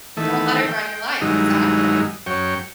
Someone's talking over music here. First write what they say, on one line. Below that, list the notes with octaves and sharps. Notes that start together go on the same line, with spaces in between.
Don't let it run your life exactly.
D#3 E3 A3
G5
G2 D#3 F#3 G#3 D#4 E4
F#2 C#5 G5